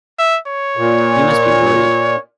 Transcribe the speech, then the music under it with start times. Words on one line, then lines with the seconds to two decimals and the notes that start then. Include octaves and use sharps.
You must be worried.
0.19 E5
0.47 C#5
0.77 A#2